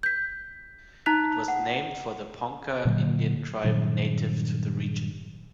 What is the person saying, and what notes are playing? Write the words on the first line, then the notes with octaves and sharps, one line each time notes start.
It was named for the Ponca Indian tribe native to the region.
G6 B6
D#4 A5 A#5 F#6 B6 F7
F#5
A#2 D3 F#3 A#3
G2 A#2 D#3 F#3